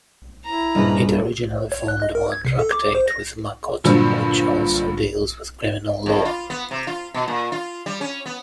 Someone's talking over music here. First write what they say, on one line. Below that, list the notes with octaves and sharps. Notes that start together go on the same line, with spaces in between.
It originally formed one tractate with Makkot, which also deals with criminal law.
E4 A#5
A#1 G2 C#3 B4 D#5
C#5
F#6
D#5
A#4
G#6
C3
A4
D6
C5
A#6
G2 A#2 D3 F3 F#3
F2
F4
B3
C3
F4
B2
A#2
F4
G3
C#4
B3